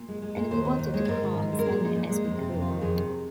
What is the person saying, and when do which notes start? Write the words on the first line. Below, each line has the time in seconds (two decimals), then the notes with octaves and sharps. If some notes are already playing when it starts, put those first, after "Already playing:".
And we wanted to cram as many in as we could.
Already playing: A#2
0.08 G#3
0.22 G#3
0.36 A#2
0.51 D#2 C5
0.65 D#3
0.79 D#2
0.94 G#3
1.08 G#2 A#4
1.23 D#3
1.37 G#2
1.52 G#3
1.59 A#4
1.66 A#2 G#4
1.80 F3 D#4
1.95 A#2
2.04 G#3 D#4
2.24 F2 A#3
2.38 C3
2.43 C4
2.52 F2
2.62 F4
2.67 D#3
2.81 F2 G#4
2.96 C3